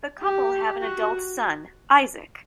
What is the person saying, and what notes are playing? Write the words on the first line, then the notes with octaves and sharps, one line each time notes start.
The couple have an adult son, Isaac.
G4
F#4